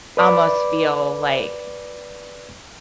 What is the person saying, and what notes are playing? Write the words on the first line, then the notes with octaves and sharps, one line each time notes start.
almost feel, like,
B4 D5 B5 D6